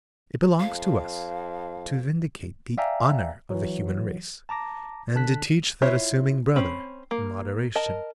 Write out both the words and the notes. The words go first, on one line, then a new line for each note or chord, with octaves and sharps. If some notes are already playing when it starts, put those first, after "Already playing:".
It belongs to us to vindicate the honor of the human race, and to teach that assuming brother, moderation.
F2 F5
D5 E5 F5 G5 G#5 A#5
E3 F#3
A5 A#5 D6 A#6
D3 A5 F#6 B6
E4 F4 C#5 E5
C4 C#4 B5
A#3
A#4 D#5 A5